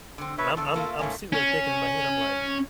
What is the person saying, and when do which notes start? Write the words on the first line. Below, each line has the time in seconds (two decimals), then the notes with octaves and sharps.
and I'm I'm I'm sitting there thinking in my head, I'm like,
0.18 D3 C4
0.38 B2 B4 C#5 E5
0.57 E2 D3 A4
0.74 A3 A#3 F4
0.99 G#2 A3 A#3 C#4
1.33 C#4